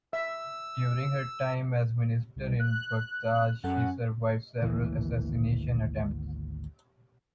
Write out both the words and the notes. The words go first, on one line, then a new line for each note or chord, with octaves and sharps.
During her time as minister in Baghdad she survived several assassination attempts.
E5 E6
C2
F#6
F#2 C#4 A4 F#5
G#1 D2 E3 A#3